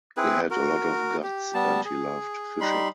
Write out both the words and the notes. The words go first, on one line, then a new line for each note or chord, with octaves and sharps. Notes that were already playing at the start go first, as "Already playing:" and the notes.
He had a lot of guts and he loved fishing.
C4 E4 G#4 B4
F#4 A#4
G4
G3 B3 A5
G#4
G3 D#4 B5 C6